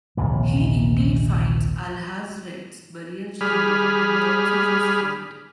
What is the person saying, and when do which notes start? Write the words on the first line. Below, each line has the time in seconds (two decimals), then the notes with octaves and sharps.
He indeed finds Alhazred's burial chamber and learns of his fate.
0.17 A#1 D#2 C3 E3
3.41 G3 G#4 B5 F6